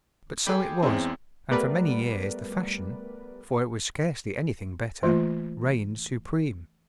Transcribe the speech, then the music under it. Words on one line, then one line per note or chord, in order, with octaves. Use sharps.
But so it was, and for many years the fashion, for it was scarcely anything better, reigned supreme.
G3 A3 G4 G#4 B5 C6
E2 G#3 C4 C#4 E4
G3 A3 B3 A#4 B4 D5
E3 A3 A#3 F4